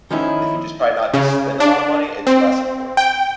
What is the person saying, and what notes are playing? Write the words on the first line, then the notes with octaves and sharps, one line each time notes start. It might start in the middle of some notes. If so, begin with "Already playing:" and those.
if you just try not to spend a lotta money, it's less important.
D#3 F3 C#4 D#4 E4
C#3
D4
C4
G5